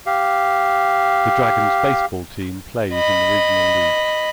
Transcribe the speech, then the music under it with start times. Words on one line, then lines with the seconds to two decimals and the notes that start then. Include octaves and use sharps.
The Dragons baseball team plays in the Regional League.
0.06 G4 F5
2.92 D#5 B5